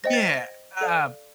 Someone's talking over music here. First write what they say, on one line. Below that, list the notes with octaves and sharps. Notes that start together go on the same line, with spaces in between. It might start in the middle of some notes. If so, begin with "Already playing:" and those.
Yeah, uh,
C5 D#5 G5 A#6
A6
B6
A#6
A4 D5 F5